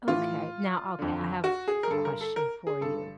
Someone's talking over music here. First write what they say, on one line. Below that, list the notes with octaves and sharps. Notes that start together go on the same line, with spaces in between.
Okay. Now, okay, I have a question for you.
A2 E3 F4
F2 D3
F#4
G#4
A#4
G2 D3 A4
A#4
A4
A#4
G#4
G2 D3 A4